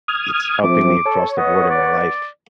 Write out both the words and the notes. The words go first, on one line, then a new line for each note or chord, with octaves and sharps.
it's helping me across the board in my life,
D#6 F6 G#6
F3 A3 C4 D6
A4 C#5
B3 D#5
D5